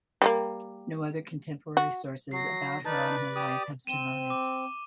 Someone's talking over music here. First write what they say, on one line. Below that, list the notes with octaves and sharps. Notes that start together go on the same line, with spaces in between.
No other contemporary sources about her or her life have survived.
G3 G#3 A#3
F#4
F#3 A#6 C7
D#4 B4 D5 A5
G4 D5 D#6
C4 D#7 E7 G7
D6